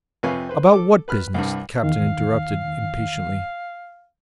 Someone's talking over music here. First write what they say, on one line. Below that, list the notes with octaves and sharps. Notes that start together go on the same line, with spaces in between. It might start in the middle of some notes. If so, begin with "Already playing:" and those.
"About what business?" the captain interrupted impatiently.
F2 C3 B4 C#5 F5 G#5
B4 C5
A4 D6
B4 B5 F6 F#6
C2 G2
E2 D#3 F5